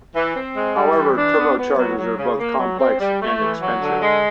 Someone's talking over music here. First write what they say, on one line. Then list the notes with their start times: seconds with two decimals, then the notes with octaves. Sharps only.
However, turbochargers are both complex and expensive.
0.14 E3
0.35 C4
0.55 G#3
0.75 G3
0.95 E3
1.16 D4
1.36 B3
1.57 B3
1.77 F#3
1.97 F#3
2.17 C#3
2.38 A#3
2.58 F#3
2.78 C4
2.99 G3
3.20 A3
3.40 E3
3.60 F#3
3.81 D3
4.01 G#3